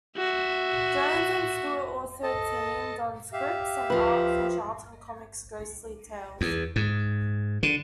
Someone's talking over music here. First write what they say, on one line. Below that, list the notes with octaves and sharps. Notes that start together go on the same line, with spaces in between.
Jones and Stewart also teamed on scripts and art for Charlton Comics' "Ghostly Tales".
F#4 E5
A4 D#5 A5
G4 E5 F5
F3 B4
E2
G#2
D3